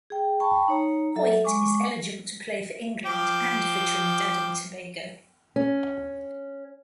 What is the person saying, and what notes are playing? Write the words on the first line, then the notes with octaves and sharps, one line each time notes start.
Hoyte is eligible to play for England and for Trinidad and Tobago.
G#4 G5
G5 A5 B5 C#6
D#4 C#5 A#5
F#3 A4 E5
G#3 G#5 C#6 D6
F3 G5 D6
C#4